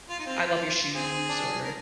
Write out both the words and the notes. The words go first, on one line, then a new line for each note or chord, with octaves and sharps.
"I love your shoes" or,
F4
D#4
C4 F4
C4 G#4
D4
A#4